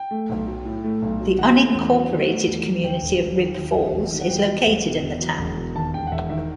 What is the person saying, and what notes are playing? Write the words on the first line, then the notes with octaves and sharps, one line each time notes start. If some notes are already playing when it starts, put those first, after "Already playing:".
The unincorporated community of Rib Falls is located in the town.
Already playing: G5
A3
B1
F#3
A2
A3
B1
F#3
D#3 F#5
A3
E2
F#3
D#3
A3
E2
F#3
D#2 G5
E1
E1
D#3
D#2
E1
E1
D#3
F#5
E2 G5
F#3
E1
B2
E2
F#3
E1
B2
D#2 A5
E1 G5
F#5
E1 E5
D#3 E5